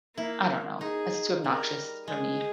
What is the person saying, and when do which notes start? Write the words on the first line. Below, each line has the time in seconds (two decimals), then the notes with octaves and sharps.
I don't know, it's too obnoxious for me.
0.17 A#3 E4
0.81 D#4 G#4
1.44 G3 A#4
2.07 G#3 G#4